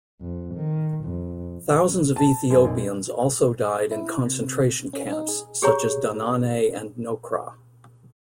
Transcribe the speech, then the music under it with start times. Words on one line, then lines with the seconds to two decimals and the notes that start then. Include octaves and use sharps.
Thousands of Ethiopians also died in concentration camps such as Danane and Nocra.
0.21 F2
0.55 D#3
1.05 F2
2.16 A5
2.50 F#2
2.65 B1
3.91 E4
4.26 C3
4.93 C#4
5.12 D#4
5.29 G#4
5.62 G4 G#4 C#5 A#5 C#6